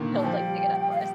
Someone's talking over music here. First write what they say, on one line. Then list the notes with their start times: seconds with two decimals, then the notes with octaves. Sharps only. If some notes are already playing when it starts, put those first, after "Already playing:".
he'll, like, pick it up for us.
Already playing: A#2 D3 D#3
0.18 A5
0.24 F3 G5
0.41 G3
0.91 F5
0.99 G5